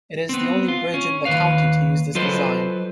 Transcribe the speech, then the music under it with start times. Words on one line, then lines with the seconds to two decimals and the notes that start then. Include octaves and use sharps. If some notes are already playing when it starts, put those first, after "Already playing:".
It is the only bridge in the county to use this design.
0.29 B3 C4
0.68 F4
0.94 C#4
1.25 D#2 G#2 B4 F5
2.15 F#3 F4 A4 B4 C5 D#5